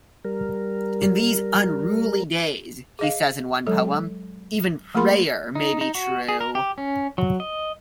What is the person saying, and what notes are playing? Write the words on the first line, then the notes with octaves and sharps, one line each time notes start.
'In these unruly days,' he says in one poem, 'even prayer may be true.
G3 A#4
G#4 D#5 F5
F#3 G#3 A4
A3 A#3 G#4 A#4 B5 C6
D#4
D#4
F#4
G#4
A#4
G4
C#4
F#3
D#5